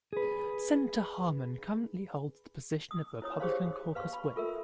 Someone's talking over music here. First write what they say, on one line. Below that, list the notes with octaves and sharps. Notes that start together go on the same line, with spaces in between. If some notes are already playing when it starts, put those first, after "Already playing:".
Senator Harman currently holds the position of Republican Caucus Whip.
G#4 B4
D#6
E4 C#5 D#6
G4 G#4 C5 C#5 F5 C6
B4 F5 C6 C#6
B5
F4 A4 A#4 E5